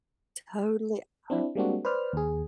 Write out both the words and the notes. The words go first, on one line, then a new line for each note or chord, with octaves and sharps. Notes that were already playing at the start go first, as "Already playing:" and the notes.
Totally, I
C4 D4 E4
G3 G#3 A#3 C4 D4 F#4
B4 C5 D5 F6
D#2 G#4